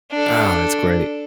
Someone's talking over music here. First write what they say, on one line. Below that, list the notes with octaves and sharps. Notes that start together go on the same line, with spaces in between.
Ah, that's great.
D4 A4